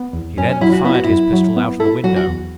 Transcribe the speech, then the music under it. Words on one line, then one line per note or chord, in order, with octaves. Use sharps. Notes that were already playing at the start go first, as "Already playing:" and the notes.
He then fired his pistol out of the window.
Already playing: B3
E2
F#2 C#4
C#4
F#3 E4
F#4
B3 E4
F#4
F#2 E4
F#3
B3
E4 A4
F#3 F#4
F#4
E2